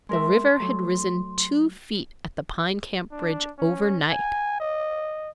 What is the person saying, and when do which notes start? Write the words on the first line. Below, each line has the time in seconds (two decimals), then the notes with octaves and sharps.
The river had risen two feet at the Pine Camp bridge overnight.
0.09 G#3 A#4 E5 C6
0.60 F#3 A3
3.12 D4
3.58 C#4
4.10 G#5
4.60 D#5